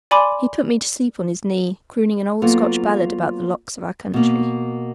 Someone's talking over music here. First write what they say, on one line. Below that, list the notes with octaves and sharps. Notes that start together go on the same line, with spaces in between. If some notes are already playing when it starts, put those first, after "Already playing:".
He put me to sleep on his knee, crooning an old Scotch ballad about the lochs of our country.
D5 G#5 B5 C6 D6
F#3 A#3 B3 F4 A4
B2 A#3